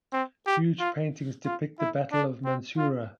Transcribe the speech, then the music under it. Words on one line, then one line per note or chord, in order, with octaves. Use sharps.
Huge paintings depict the Battle of Mansoura.
C4
G4
F4
F4
E4
D4
C4
F4